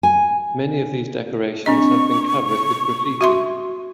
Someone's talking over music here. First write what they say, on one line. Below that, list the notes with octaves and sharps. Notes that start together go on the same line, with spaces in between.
Many of these decorations have been covered with graffiti.
G#5
C4 D4 D#5 C#6
F#4 E5 C6